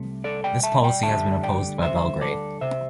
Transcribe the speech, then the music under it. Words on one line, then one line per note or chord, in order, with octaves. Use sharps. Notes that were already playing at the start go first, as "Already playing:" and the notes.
This policy has been opposed by Belgrade.
Already playing: C2 C3 A3
A4 D5
D5 G5
E5 A5
D5 G5
D2 D3 G3 E5 A5
D5 G5
C5 E5
A4 D5
C2 C3 G3 C5 E5